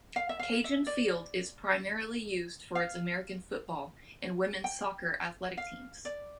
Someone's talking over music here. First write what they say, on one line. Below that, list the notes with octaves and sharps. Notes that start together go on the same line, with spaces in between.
Cajun Field is primarily used for its American football and women's soccer athletic teams.
F5
E5
F5
E5
D5
F5
G5
F5
D5